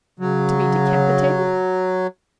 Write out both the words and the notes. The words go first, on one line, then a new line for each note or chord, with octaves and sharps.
To be decapitated?
C#3 F#3